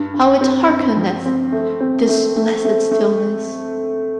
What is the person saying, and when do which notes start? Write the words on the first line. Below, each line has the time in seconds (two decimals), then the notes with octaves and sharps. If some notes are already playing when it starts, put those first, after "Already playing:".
How it hearkeneth, this blessed stillness!
Already playing: G2
0.14 G2
0.41 C4
0.69 G2
0.97 F3
1.26 C4
1.52 A3
1.81 C4
2.08 A3
2.36 A3
2.65 A3
2.91 A3